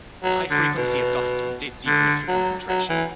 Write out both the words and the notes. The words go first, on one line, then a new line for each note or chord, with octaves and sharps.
High frequency of dusting did decrease the concentration.
F#3
D3
B2
D3
F#3
F#3
E3